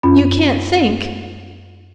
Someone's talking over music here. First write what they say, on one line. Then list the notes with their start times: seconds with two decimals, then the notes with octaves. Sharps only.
You can't think.
0.03 F#2 C#4 F4 B5